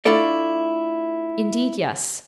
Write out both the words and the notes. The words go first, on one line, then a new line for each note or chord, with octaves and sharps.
'Indeed, yes.
A3 D4 E4 F4 A4 D5